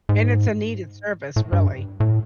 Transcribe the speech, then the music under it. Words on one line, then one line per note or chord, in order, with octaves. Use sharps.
And it's a needed service, really.
G#2
A2
G2
A2